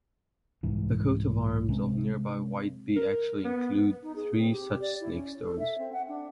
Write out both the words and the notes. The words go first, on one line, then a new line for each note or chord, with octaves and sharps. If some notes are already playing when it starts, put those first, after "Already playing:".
The coat of arms of nearby Whitby actually include three such 'snakestones'.
C2 G#2 E3
C3 G#3 C4
A#4
B3
D#4
G#4
C4
G4
D5
E4
C#4
A4
E5
C4
F#5
D4